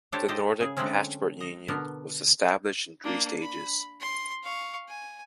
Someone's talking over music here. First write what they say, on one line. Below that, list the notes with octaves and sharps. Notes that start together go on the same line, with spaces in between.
The Nordic Passport Union was established in three stages.
D4 G4 A4 C5 C#5
G4 A4 C5 D#5
C#3 G#4
D3 F#3 G#3 A3 C4 C#4
D#5
B2 D3 B3 A#4
A#3 D4
B5
C6
F5 C#6
G#5